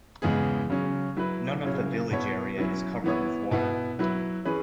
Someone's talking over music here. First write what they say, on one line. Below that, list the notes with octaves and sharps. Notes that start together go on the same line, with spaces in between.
None of the village area is covered with water.
E2 C#3 G#3 B3 G#4
C#3 F#3 C#4
F#3 E4 B4
C#3 F#3 C#4 E4 C#5
B2 B3 E4 C#5
F#3 C#4 E4
E3 B3 E4 C#5
B2 B3 E4
F#3 E4 B4
E3 C#4 G#4 B4